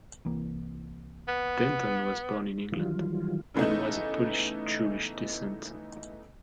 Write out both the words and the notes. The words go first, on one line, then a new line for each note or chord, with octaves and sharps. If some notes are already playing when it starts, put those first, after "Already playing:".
Denton was born in England and was of Polish Jewish descent.
C2 E3 A#3
B3
D#3 E3 F#3 G3 F4
C#3 E3 A3 B3 D#4